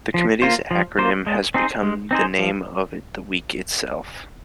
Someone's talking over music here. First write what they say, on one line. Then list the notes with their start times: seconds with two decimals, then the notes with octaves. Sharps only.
The committee's acronym has become the name of the week itself.
0.14 F3
0.42 A#3 F4 C5
0.71 F3
0.98 A#3 F4 C5
1.27 G#3
1.54 C4 D#4 G#4 C5
1.83 G#3
2.11 C4 D#4 G#4 C5
2.39 F3